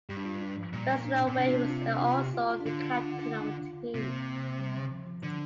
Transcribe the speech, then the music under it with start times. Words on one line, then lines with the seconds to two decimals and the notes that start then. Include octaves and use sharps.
Westerlo where he was also the captain of the team.
0.09 G2 G4
0.17 D4
0.25 F4
0.41 D4
0.57 F3
0.73 A#2 G3
0.89 A#3
1.05 D4
1.22 C4
1.27 A#2
1.33 C4
1.38 C3 D4
1.48 F4
1.53 D4
1.70 F4
1.86 D4
2.02 F4
2.19 G4
2.34 F4
2.50 F4
2.61 D4
2.66 D3 F4
3.95 C3 A#3
4.59 G3
4.75 D3
4.91 F3
5.07 F3
5.23 D3 F3